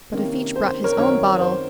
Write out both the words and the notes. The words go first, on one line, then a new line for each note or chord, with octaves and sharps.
But if each brought his own bottle . . .
C3 D#3 A#3 C#4
C5
A#4 C#5
F#2 D#3 F#3 C4 D#4 A#4 C#5
C5